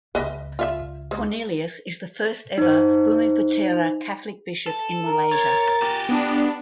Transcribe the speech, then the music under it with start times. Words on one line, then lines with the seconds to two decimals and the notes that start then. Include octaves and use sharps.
Cornelius is the first ever bumiputera Catholic bishop in Malaysia.
0.15 C#2 B4 D#5 E5
0.59 F4 E5
1.11 G#3
2.58 D#4 C5
4.66 A4
5.06 A#4
5.31 C#5 A6
5.81 F#4 G4
6.09 B3 D4